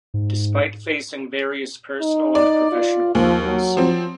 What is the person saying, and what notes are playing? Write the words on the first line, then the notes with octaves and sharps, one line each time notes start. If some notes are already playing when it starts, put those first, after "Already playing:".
Despite facing various personal and professional hurdles.
G#2
D#4
D5
F4
D#2 F3
F#3
F3 C4